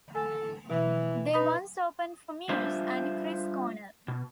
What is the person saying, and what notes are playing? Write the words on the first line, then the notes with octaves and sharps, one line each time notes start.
They once opened for Muse, and Chris Cornell.
A4 G#5
B2 E3 E5
D#4 B4 B5 D#6
G3 D4 F4 C5 E5 F5
B2